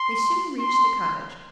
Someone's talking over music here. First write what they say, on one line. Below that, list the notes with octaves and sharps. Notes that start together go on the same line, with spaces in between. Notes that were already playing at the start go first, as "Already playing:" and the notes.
They soon reached the cottage.
Already playing: C6
C6